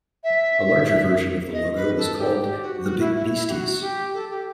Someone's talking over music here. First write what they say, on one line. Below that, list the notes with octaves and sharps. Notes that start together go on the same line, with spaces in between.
A larger version of the logo was called the "Big Beasties".
E5
D#5
B4
A4
G4
G4
F#4
F#4
E4
E4
E4
G4
F#4
G4
A4
G4